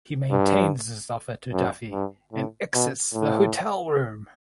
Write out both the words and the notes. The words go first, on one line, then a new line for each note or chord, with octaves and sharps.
He maintains his offer to Duffy and exits the hotel room.
G2
F#2
G2
A2
B2
A2